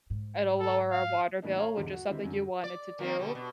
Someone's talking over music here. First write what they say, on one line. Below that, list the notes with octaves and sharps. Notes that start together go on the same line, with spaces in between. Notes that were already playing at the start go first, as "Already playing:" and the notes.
it'll lower our water bill, which is something you wanted to do,
G#2
A4
F5
A2 E3 A#3 D4 D#4
C#5 F5 A#5
E2 G#2 D3 G3 G#3
F#4
D3 D#3 G3 C4 D#4 E4
F#2 D3
D5
D#3 A#3 C4
B2 D3 G3
B2